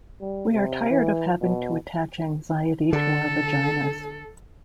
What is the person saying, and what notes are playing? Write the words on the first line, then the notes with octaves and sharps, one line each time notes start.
We are tired of having to attach anxiety to our vaginas.
G3
C3
E3
B2
D3 A4